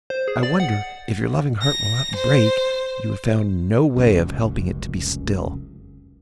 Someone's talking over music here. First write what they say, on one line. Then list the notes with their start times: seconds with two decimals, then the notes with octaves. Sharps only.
I wonder, if your loving heart will not break, you have found no way of helping it to be still!
0.10 C5
0.28 G#4
0.43 D5
0.60 F#5
1.62 A#6
2.16 C5
3.96 F1 C#2 F#2